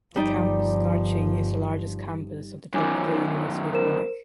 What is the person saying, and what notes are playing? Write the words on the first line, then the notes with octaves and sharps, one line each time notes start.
The Campus Garching is the largest campus of the Technical University of Munich.
G1 F3 G3 D#4 D5
F#2 D#3 C#5 G#5 D6
A#4 C5 E7